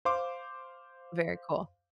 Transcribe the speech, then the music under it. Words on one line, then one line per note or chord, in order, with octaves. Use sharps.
Very cool.
C5 F5 C6 D6